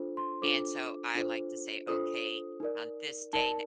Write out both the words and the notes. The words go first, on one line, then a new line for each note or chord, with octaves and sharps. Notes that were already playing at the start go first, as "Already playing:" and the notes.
and so I like to say, "Okay, on this date,
Already playing: D4 F4 A4 C5
C6
D4 F4 A4 C5 D6
D4 F4 A4 C5
D4 F4 A4 C5 D#6
D#4 A#4 D5
D#4 A#4 D5 A5